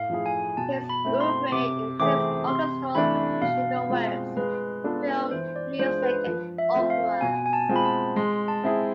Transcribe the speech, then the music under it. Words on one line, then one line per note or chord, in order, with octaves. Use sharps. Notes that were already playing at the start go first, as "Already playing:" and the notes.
His oeuvre includes orchestral and chamber works, film music and operas.
Already playing: A2 F5
F3 A3 E4 G#4
G#5
B2 A5
B5
A3 C4 E4
C6
C3 D6
E3 A3 C4 G#4 D6
C3 C6
E3 A3 D4 B5
B2 F5
G#3 C4 F4
G#3 B4
B3 D4 F4 A4
E3 C5
D5
G#3 D4 F4 C5
B4
F3
E5
A3 C4 F4
F5
B2 G#5
G#5
A5
G#3 C4 F4
B5
A5
G#3 C6
A5
C4 E4 G#4